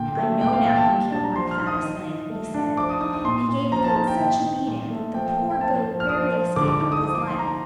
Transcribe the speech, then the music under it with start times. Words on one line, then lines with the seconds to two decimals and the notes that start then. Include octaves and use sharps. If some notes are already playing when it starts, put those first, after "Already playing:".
"I know now who killed my fattest lamb," he said, and he gave the goat such a beating that the poor goat barely escaped with his life.
Already playing: A#2 D3 G5
0.17 A3
0.41 A#2 G5
0.53 F5
0.64 A#2 G5
0.76 A5
0.88 G3
1.11 D4 A5
1.24 A#5
1.35 F3 C6
1.51 F6
1.60 D#4
1.67 D#6
1.83 D#3
2.07 D#3
2.30 A3
2.54 D4
2.77 F3 D6
2.89 D#6
3.01 D#4 D#6
3.13 D#6
3.25 A#2 C6
3.48 A#2
3.72 F3 A#5
3.84 A5
3.96 D#4 A5
4.07 G5
4.20 D#3
4.43 D#4
4.67 A#2
4.91 A3
5.14 F3 G5
5.38 A#3
5.51 G5
5.61 F3 A5
5.85 F3
6.00 F6
6.09 F3 D#6
6.33 F3
6.56 D3 D6
6.68 D6
6.80 D#4 D6
6.92 D#6
7.03 F3 D#6
7.15 D6
7.27 D#4 C6
7.39 A#5